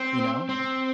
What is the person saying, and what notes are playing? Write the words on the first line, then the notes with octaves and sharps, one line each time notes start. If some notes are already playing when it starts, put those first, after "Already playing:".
you know?
Already playing: C4
C4